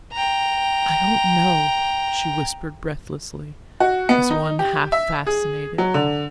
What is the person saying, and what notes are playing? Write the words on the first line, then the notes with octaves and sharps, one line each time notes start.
"I don't know," she whispered breathlessly, as one half-fascinated.
G5 A#5
F#4
B3
D#4
G4
E5
G#4
F#3
D3